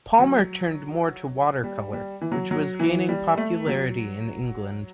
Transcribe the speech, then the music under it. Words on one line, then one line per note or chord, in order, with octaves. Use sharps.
Palmer turned more to watercolour which was gaining popularity in England.
F#3
G3
G3
E3
F#3
F#3
E3
G3
A3
F#3